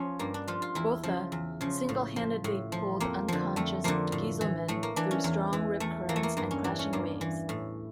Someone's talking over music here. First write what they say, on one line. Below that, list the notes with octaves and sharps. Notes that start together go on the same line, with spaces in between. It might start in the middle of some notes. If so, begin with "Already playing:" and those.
Botha single-handedly pulled unconscious Geiselman though strong rip currents and crashing waves.
Already playing: F3 C#4
G2 A#3
D4
F3 F4
F4
E2 E4
C#3 F3
E2
C#3 F3
A2
F3
A2
F3
F2 A#3
D3 F3
F2 A3
D3 F3 A#3
A2
E3
A2 A3
A#3
E3 D4
C#4
E2
E3
E2 A3
E3 A#3
A3
A#3
G2 A#3
C#4
E3 D4
C#4
G2 A#3
E3
A2